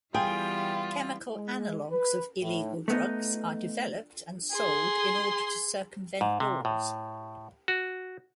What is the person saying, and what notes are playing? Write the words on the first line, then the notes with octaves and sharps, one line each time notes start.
Chemical analogues of illegal drugs are developed and sold in order to circumvent laws.
E3 G3 B3 F4 G#4 G5
G#3
B4
A2
A3 B3 D#4
G#4 C6
G#2
C3
A2
F#4